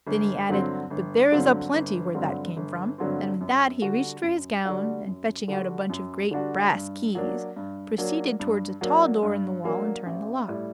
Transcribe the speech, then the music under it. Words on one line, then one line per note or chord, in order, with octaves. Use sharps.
Then he added, "But there is a plenty where that came from." And with that he reached for his gown, and, fetching out a bunch of great brass keys, proceeded towards a tall door in the wall, and turned the lock.
G1
G2 D3 F#3 C4
G1
G2 D3 F#3 C4
G1
G2 D3 F#3 C4
G1
G2 D3 F#3 C4
F#2
D3 G3 D4 F#4
F#2
D3 G3 D4 F#4
F#2
D3 G3 D4 F#4
F#2
D3 G3 D4 F#4
G2
F#3 A#3 D4
G2
F#3 A#3 D4
G2
F#3 A#3 D4
G2
F#3 A#3 D4
A1
A2 G3